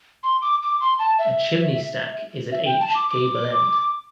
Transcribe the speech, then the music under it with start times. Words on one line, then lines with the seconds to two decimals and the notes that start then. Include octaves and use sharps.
A chimney stack is at each gable end.
0.23 C6
0.42 D6
0.62 D6
0.81 C6
0.99 A5
1.19 E5
2.52 E5
2.66 G5
2.80 A5
2.95 D6
3.09 D6